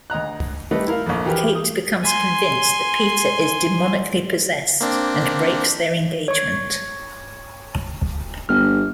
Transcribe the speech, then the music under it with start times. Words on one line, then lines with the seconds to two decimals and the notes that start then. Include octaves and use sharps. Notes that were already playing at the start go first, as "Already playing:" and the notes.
Kate becomes convinced that Peter is demonically possessed and breaks their engagement.
0.10 D2 D#5 A#5 F#6
0.71 G3 A3 G4 B4 D#5
0.88 E4 A#4 F5
1.06 A#1 F2
1.25 E3 F#4 G4 A#4 B4
1.55 D#6
2.04 G#5 C6
4.81 A#3 C4 D4
6.28 C#5 C#6
8.49 G1 F6